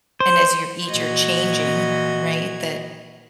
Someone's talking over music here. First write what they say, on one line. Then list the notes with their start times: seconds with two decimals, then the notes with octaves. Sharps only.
and as you're each are changing, right, that
0.20 C5
0.88 A#2 E3 F#4 D#5 G#6